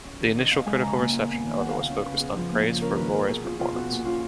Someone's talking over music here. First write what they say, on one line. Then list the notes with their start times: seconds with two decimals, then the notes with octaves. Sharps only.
The initial critical reception, however, was focused on praise for Lorre's performance.
0.04 C#4
0.20 D#3
0.36 C#4 D#5
0.51 B2 F5
0.66 G#3 G#5
0.81 C#3 A#5
0.97 A#3 A#5
1.12 A#2 G#5
1.28 B3
1.43 D#3
1.58 B3 F#5
1.69 F5
1.74 C#3
1.79 F5
1.90 C#4
2.05 C#3 B4
2.20 B3 G#4
2.36 F3
2.51 A#3
2.66 C#3
2.82 C#4 A#4
2.97 D#3 B4
3.13 C#4 A#4
3.28 B2 G#4
3.43 C#4 F4
3.59 B2 F4
3.74 B3 F#4
3.90 A#2
4.05 C#4 F4